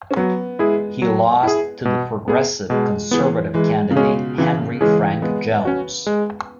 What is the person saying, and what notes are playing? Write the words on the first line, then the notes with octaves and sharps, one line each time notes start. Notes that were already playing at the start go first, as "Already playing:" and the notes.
He lost to the Progressive Conservative candidate, Henry Frank Jones.
C#4
F#3 B3
G#3 E4 G#4
F#3
E4 G#4
B2
B3 G#4
B2 G#3
E3 B3 G#4
E3 G#3
C#3
B2 G#3 C#4 G#4
C#3 E3
E3 G#3 C#4 G#4
G#3 B3
C#4 F#4
G#3